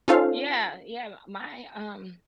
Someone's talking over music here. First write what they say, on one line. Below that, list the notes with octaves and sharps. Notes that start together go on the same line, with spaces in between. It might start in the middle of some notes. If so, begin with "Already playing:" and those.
Yeah, yeah, my, um
C#4 D#4 F4 A4 C5 F5